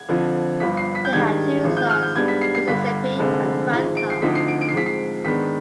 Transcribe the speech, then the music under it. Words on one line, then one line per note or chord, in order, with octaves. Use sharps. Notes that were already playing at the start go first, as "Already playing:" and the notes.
They had two sons, Giuseppe and Franca.
Already playing: G#6
F2 D3 F3
G1 G2 F3 B6
C7
B6
G6
G#2 D#3 G3 D4 G#6
G#1 G#2 F3
G6
F6
G6
G#2 G3 B3 D4 G#6
B6
C7
C7
G1 G2 D3 B6
F1 F2 D3 G#3 C4
G#1 G#2 F3
D7
C7
D2 D3 F3 C4 D#4 B6
C7
D7
D7
C7
G#2 F3 C4 B6
C7
G#2 D#3 B3 D4 B6